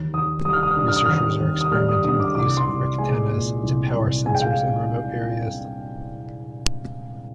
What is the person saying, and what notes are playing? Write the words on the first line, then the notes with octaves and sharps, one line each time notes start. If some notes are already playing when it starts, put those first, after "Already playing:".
Researchers are experimenting with the use of rectennas to power sensors in remote areas.
Already playing: D#2
D#2 D#6
G3 D#6
F6
D#6
F6
D3 D#6
F6
D#6
D#2 F6
D#6
D#2
D#6
G3 F6
D#6
D3 D#6
D6
C2 D6
C6
C2
G#3 G#5
A#2
C2
C2
G#3 G#5
G5
F5